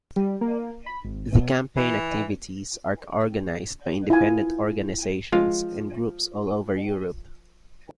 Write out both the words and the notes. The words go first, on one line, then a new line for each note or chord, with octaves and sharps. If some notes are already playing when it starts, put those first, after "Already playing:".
The campaign activities are organised by independent organisations and groups all over Europe.
G3
A#3
B5
G#1
B2
E3
E4 F4 F5 G#5
F3 G#3 F4 F5